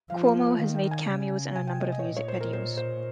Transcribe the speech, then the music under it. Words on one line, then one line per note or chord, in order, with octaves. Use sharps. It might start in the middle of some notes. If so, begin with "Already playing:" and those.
Cuomo has made cameos in a number of music videos.
F3 F5
F5
D#3 F5
G5
G#5
C#3
C3 G#5
G5
D#5
D#5
C#5
A#2 D#5
C#5
C5
A#4
C5
C5